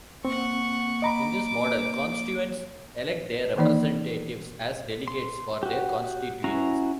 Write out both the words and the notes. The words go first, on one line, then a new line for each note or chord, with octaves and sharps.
In this model, constituents elect their representatives as delegates for their constituency.
A#3 C4 F#5 C#6
D#5 A#5 B5 D6
D#3 E3 A#3 D#4 D5
C6
F#4 G4
C#4 E4 F#4 A#5